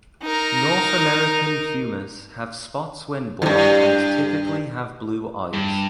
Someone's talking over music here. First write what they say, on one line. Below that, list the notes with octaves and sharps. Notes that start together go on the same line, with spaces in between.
North American pumas have spots when born and typically have blue eyes.
D#4 A#4
E2 G2
G2